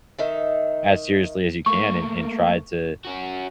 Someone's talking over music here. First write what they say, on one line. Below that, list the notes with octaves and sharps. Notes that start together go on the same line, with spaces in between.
as seriously as you can and and try to
D#3 D#4 E5
A3 A#3 C#6
C#4 F#4